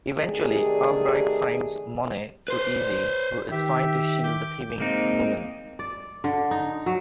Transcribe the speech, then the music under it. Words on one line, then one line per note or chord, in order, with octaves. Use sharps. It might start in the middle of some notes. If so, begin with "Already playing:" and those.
Eventually, Albright finds Monet through Easy, who is trying to shield the thieving woman.
C3 D#3 A3 D4 G4 G#4
B4 C5
D#3 G4 E5
D6 G6
G#3 A#3 C4 D#4
D5
D3
D#4
F#3